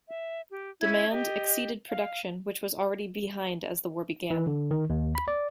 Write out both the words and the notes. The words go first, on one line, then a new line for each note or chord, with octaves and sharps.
Demand exceeded production, which was already behind as the war began.
E5
G4
C#4 E4 G#6
G4 D#5
F5
E3
D3
D#3
D#2
B5
D5